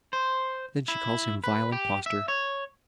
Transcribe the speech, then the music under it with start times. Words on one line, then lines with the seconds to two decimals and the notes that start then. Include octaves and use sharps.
Then she calls him vile impostor.
0.13 C5
0.88 E4
1.44 B4
1.72 G4
2.06 E5
2.28 C#5